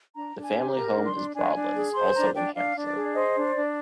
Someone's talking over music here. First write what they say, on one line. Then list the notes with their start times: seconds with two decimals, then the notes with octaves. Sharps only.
The family home is Broadlands, also in Hampshire.
0.15 D4 A#5
0.35 D4
0.45 G#5
0.55 G4
0.75 A#4 A#5
0.95 D4
1.05 C6
1.15 D4
1.35 D4 G#5
1.55 D4
1.75 G#4
1.95 C5 C6
2.15 D4 A#5
2.35 D4 G5
2.55 D4 F5
2.75 D4
2.85 D5
2.95 G#4
3.15 C5 D#5
3.35 D4
3.45 D5
3.55 D4